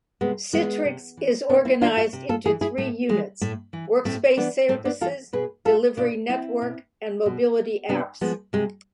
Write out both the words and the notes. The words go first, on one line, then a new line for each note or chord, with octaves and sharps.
Citrix is organized into three units: Workspace Services, Delivery Network, and Mobility Apps.
C3 G#3 B3
E3 G#3 B3
C3
E3
C3 B3 D4
C4 E4
E3 D4 F4
F4 A4
C3
F4 A4
E3 E4 G#4
E4 G#4
A2 A3
E3 G#3
A2 A3
E3
A2 A3 C4
E3 B3 D4
A2 A3 C4
B3 D4
E3 F4 A4
B2 G#4 B4
F4 A4
B2 D4 F4
C4 E4
B2
B2
C3 B3 D4
F3 G#3 B3
C3 G#3